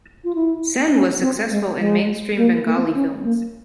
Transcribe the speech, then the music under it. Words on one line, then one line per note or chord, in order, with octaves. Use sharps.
Sen was successful in mainstream Bengali films.
F4
E4
C#4
C4
G#3
G#3
A#3
A#3
C4
E4
C#4
A#3